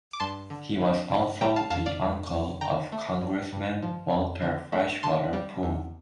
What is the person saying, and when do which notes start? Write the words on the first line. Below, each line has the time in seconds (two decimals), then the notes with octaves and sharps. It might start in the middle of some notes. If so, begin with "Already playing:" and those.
He was also the uncle of Congressman Walter Freshwater Pool.
0.13 D6
0.20 G2 A5 C6
0.50 D3
0.81 D3
1.10 G2
1.41 G3 G5 A#5
1.56 F5 A5
1.70 F2 F5 A5
1.86 D5 F5
2.01 F2
2.31 F2
2.61 D3 G5 A#5
2.92 A3
3.21 G2
3.53 G2
3.82 F3
4.13 F2
4.42 D3
4.72 A3
5.03 D3 A5 C6
5.33 G3
5.63 E2